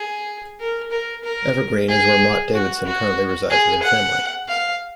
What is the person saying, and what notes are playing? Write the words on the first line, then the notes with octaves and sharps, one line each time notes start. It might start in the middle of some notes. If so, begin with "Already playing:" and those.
Evergreen is where Mott Davidson currently resides with her family.
Already playing: G#4
A#4
A#4
A#4
G#4
F#4
F#4
G#4
F#5
F5